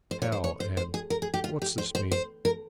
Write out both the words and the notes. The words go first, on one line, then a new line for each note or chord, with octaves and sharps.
"Hell and--What's this mean?"
C5
C#5
C5
C#5
C5
C5
G#4
A#4
G#4
G4
F4
G4
C5
C5
C5
A#4